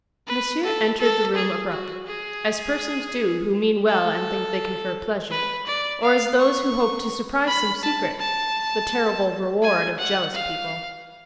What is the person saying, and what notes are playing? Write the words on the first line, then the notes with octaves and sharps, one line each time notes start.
Monsieur entered the room abruptly, as persons do who mean well and think they confer pleasure, or as those who hope to surprise some secret, the terrible reward of jealous people.
B4
A4
A4
G#4
F#4
G#4
A4
B4
D5
F5
C#6
B5
A5
A5
G#5
F#5
F5